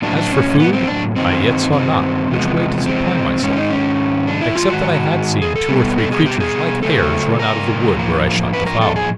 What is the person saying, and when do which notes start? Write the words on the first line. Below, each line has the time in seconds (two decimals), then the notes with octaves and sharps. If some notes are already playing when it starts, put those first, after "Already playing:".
As for food, I yet saw not which way to supply myself, except that I had seen two or three creatures like hares run out of the wood where I shot the fowl.
0.02 A2 F#3 A#3 D4
0.17 D4
0.31 C#4
0.60 B3
0.73 C4
0.88 D4
1.16 G2 D#3 G3 A#3 C4
1.72 C4
2.30 E2 C3 F3 G#3 B3
2.86 C4
3.42 G#2 D#3 G#3 C#4
3.56 D#4
3.70 C#4
4.27 D4
4.41 E4
4.56 G#2 D#3 G#3 F4
4.70 F#4
5.42 G#4
5.56 A4
5.69 B2 G3 B3
5.98 A4
6.12 G#4
6.26 G4
6.40 G#4
6.83 C#3 F#3 A3 A4
7.39 A#4
7.96 A2 F3 A#3
8.53 B4
8.66 A#4
8.81 A4
8.96 G#4